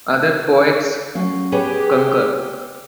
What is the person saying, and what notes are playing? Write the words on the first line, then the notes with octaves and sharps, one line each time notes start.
Other poets concur.
F#3 C#4 F5
B3 G4 G#4 B4 C#5